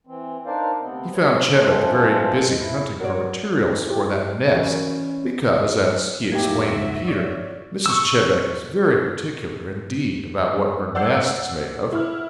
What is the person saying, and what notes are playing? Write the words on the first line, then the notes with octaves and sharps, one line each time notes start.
He found Chebec very busy hunting for materials for that nest, because, as he explained to Peter, Mrs. Chebec is very particular indeed about what her nest is made of.
E3 C4
D4 D#4 A#4 C5 D5 F5
D2 C3 B3 C4
A3 F#4 B4 C#5
F#2 E3 F3 G#3 A4 C5
E4
F#4 A#4 C#5 D5
E4 G4
E3 C#4 F#4 A#4 D5 G#5
F2 A2 A#3 D#4 F#4 G4 E5 G#6
C#2 G#2
C#5 D5
C#6 E6
D5 F#5 E6 G6 C7
E4 F6